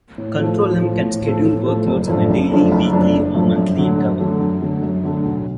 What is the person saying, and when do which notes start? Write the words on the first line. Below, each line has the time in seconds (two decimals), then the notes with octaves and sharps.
Control-M can schedule workloads on a daily, weekly or monthly interval.
0.18 A2
0.39 F3 A3
0.60 A2
0.81 F3 A3
1.02 A2
1.23 F3 A3
1.44 A2
1.66 F3 A3
1.87 F#1
2.08 F#2 F3 A3 D4
2.30 F#1
2.51 F#2 F3 A3 D4
2.72 F#1
2.93 F#2 F3 A3 D4
3.14 F#1
3.35 F#2 F3 A3 D4
3.56 F#2
3.77 D3 F#3 A3
3.98 F#2
4.19 D3 F#3 A3
4.40 F#2
4.61 D3 F#3 A3
4.83 F#2
5.04 D3 F#3 A3
5.25 B1